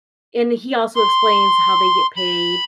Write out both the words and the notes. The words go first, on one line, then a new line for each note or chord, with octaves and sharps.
and he also explains how they get paid
C6
B5